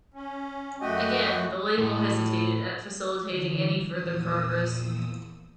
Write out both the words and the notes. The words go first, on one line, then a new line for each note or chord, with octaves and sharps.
Again, the label hesitated at facilitating any further progress.
C#4
F#2 A3 F#4 G4 D#5
A2
D3 E3
E2 A#2 F3 D#6 E6